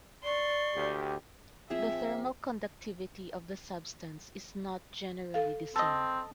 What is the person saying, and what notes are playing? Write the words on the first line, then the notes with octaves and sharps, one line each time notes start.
The thermal conductivity of the substance is not generally the same.
D5 C6 C#6
D2 G4
F3 C4 G#4 E5
A4 F5
C4 A4 D#5 E6